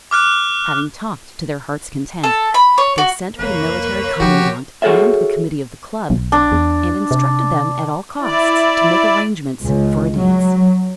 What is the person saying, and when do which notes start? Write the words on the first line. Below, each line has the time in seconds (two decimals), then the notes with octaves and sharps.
Having talked to their hearts' content, they sent for the Military Commandant and the committee of the club, and instructed them at all costs to make arrangements for a dance.
0.11 D6 F6 F#6
2.24 A4
2.54 B5
2.78 C#5
2.98 F#4
3.39 C2 F2 A#3 B4 C#5
4.20 C3 F3 F#4 G4
4.82 F#4 G#4 A4 C#5 E5
6.10 B1
6.32 D4
6.52 E2
7.11 C3
8.20 E4 D5
9.63 C#2
10.16 F#3